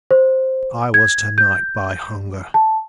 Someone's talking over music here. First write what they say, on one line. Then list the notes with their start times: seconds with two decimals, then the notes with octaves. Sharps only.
I was to-night, by hunger.
0.11 C5
0.94 G#6
1.38 G6
2.54 A5